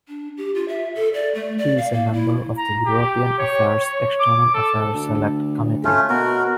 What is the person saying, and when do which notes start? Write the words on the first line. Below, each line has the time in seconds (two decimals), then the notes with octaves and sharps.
He is a member of the European Affairs External Affairs Select Committee.
0.08 D4
0.37 G4
0.55 F4
0.68 E5
0.95 A4
1.14 D5
1.35 A3
1.58 D5
1.78 F5
1.93 A#3
2.13 E4
2.57 A#5
2.86 G4
3.38 C#5
3.81 C#5
4.20 D6
4.54 A4
4.94 D2
5.85 A3 C#4 F4
6.09 B2 F#4 A#4